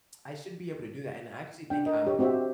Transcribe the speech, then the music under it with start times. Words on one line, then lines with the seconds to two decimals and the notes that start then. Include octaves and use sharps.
I should be able to do that, and I actually think, um,
1.70 D4 G5
1.86 A#4 D#5
2.07 G4 C#5
2.19 C4 F#4 G4 C5 E5